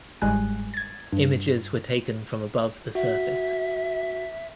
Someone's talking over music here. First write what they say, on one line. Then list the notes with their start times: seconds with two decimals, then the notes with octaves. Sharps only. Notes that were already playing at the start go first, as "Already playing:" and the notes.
Images were taken from above the surface.
0.22 G1 G#2 G3 G#3 G#5 F#6
0.74 G#6 A6
1.12 G2
2.95 F#4 E5